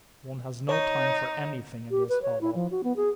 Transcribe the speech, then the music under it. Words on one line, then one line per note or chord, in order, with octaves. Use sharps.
"One has no time for anything in this hovel!"
D#4 C#5
G4
B4
C#5
E4
F3
F#4
B3
G#4